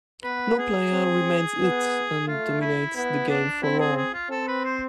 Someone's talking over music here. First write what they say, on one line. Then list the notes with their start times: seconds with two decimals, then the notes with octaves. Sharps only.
No player remains "it" and dominates the game for long.
0.24 B3 B4
0.58 G#4
0.92 C4
1.60 B3
2.28 A3 F4
2.61 E4
2.95 B3 E4
3.29 D4
3.63 C4 E4
3.80 G#4
3.97 G#4
4.14 F4
4.30 C4 A4
4.48 B4
4.65 C5